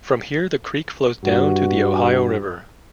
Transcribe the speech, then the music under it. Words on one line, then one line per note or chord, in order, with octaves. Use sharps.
From here the creek flows down to the Ohio River.
G2 F#4